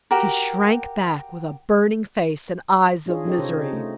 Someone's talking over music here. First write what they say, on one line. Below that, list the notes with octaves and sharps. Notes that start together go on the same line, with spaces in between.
She shrank back with a burning face and eyes of misery.
F#4 G4 A#4
D4 D#4 F4 G#4 C#5 D#5
C#4 D#4 G4 A4 C#5 D#5
C3 C5 C#5
D#4
A3